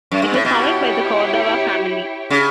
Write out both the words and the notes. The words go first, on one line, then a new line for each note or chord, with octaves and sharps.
It was founded by the Cordova family.
F#2
G2
A2
B2 E4 G4 C#5 G5
C#3